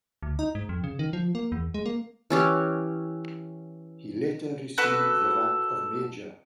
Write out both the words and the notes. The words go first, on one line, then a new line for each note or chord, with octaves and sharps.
He later received the rank of major.
D2
D#4
G#2
F2
C#3
D#3
F3
A#3
E2
G#3
A#3
E3 C#4 G4
F#4 A4 B4 B5